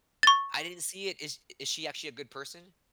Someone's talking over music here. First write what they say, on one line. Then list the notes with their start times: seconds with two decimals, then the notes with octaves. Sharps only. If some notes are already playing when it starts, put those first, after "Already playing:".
I didn't see it. Is is she actually a good person?
0.23 C#6 A6